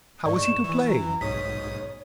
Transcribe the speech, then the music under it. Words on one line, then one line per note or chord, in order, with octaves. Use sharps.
How was he to blame?
G#2 D5 C#6
E7
E3
A#5
B1 G#2 C#5 D#6 B6